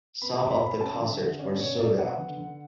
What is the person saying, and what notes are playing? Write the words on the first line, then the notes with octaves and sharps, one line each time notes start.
Some of the concerts were sold out.
B3 B5
B2
B5
B2
B5
C#4 A5
D3
E5
D3
C#4 D5
B2 C#5
B2 D5
B3 F#5
D3
D3